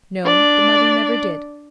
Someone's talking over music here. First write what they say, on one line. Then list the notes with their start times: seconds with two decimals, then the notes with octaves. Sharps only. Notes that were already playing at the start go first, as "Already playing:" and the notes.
No, the mother never did.
0.25 D4 D5